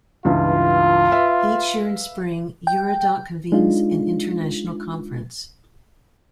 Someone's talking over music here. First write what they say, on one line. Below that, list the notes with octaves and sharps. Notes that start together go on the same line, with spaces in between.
Each year in Spring, Eurodoc convenes an international conference.
C#2 G2 E3 F4
B4 E5 F5
G5
G#3 D4 D#4 F4